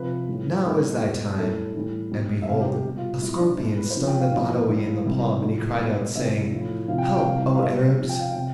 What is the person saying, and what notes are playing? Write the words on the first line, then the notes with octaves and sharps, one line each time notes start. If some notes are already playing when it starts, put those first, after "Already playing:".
Now is thy time!" And behold, a scorpion stung the Badawi in the palm and he cried out, saying, "Help, O Arabs!
Already playing: C3 F3 B4
A2 E3 G3
A2 G3 A4
B2 G3 G4
A2 G3 A4
A2 E3 G3
B2 G3
E5
C3 G3 F5
G4
G4
B2 G3
F4
B2 G3 E4
D4
B2 G3 E4
B4
C5
C3 F3 B4
G5
F5
A2 F3 F5
A2 E3 G3
C3 E3 G3
A2 F3
B2 G3 B4
C3 E3 G3 E5
A2 F3
C3 F3 F5
G5
F5
G5
C3 E3 G3 F5
F5
B2 G3 E5
C3 F3
G5
F5
C3 G5